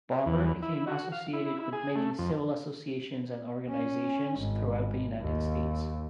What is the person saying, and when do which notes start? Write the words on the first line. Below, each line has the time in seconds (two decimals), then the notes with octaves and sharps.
Barbour became associated with many civil associations and organizations throughout the United States.
0.26 E2
0.62 E4
0.87 F#4
1.12 F5
1.33 E4
1.60 E4
1.73 G#4
1.96 A3
2.19 F2
3.69 C#4
4.39 G#1
5.21 D#2